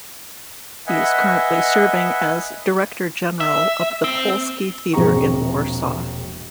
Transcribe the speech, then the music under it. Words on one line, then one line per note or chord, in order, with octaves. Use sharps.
He is currently serving as director general of the Polski Theatre in Warsaw.
B4 D#5 E5 F#5 G#5
E5
C4
E1 A#1 C4 G#4 A#5 C#6